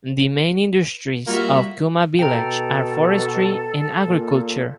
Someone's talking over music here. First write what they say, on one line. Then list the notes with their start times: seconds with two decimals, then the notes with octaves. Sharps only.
The main industries of Kuma Village are forestry and agriculture.
1.27 G3 A#3 F4 F#4 E5
2.19 B2 A4 G5 A#5
4.07 A#2